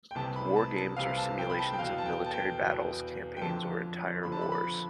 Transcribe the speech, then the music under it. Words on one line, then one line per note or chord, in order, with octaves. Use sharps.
Wargames are simulations of military battles, campaigns or entire wars.
G5
C2 C3 E3 A5
B5
A5
A5
C2 C3 E3 F5
A5
G5
B5
A5
G5
E2 B2 F5
A5
G5
A5
G5
E2 B2
G5
F2 D3 F3 A5
F2 D3 F3 B5
A5
B5
B5